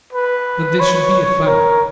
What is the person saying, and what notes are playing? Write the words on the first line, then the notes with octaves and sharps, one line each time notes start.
"That there should be a famine!"
B4
C#5
C#5
A#4